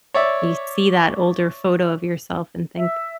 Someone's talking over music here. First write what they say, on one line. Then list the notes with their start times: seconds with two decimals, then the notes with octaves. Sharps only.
you see that older photo of yourself and think
0.14 C#5 D5 E5
2.76 E5